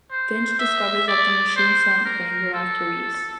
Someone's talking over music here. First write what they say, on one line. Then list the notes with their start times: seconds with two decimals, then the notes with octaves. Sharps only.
Finch discovers that the Machine sent Granger after Reese.
0.11 C5
0.59 E5
1.08 D5
1.56 C5
2.05 A#4
2.54 A4